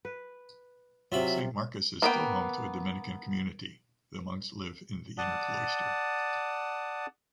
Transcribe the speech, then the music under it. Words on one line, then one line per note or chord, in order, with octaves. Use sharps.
Saint Marcus is still home to a Dominican community. The monks live in the inner cloister.
B4
C3 F#3 F4 E5 B5
A#3 B3 G5
D5 F#5 A5 D#6